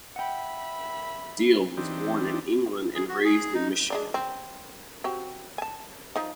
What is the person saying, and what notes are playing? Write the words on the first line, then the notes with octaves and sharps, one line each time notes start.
Deal was born in England and raised in Michigan.
E5 F#5 G5 B5
E3 C4 D4 D#4 G4
G#4
F#4
G#4
D#4
G#3 D4 D5
C4
C4 F#4 G4
G#5 A5
F3 D#4